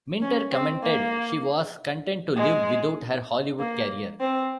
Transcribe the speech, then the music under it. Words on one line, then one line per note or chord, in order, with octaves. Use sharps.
Minter commented she was content to live without her Hollywood career.
C#4
C4
A#3
G#3
A#3
C4